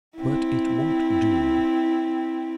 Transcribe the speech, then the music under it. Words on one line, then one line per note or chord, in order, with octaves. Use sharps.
'But it won't do.
C4 E4